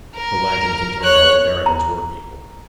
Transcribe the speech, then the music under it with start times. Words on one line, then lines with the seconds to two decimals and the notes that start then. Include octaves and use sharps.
The waggon contained all Derriman's workpeople.
0.15 A#4
1.03 C#5 F#6
1.66 A#5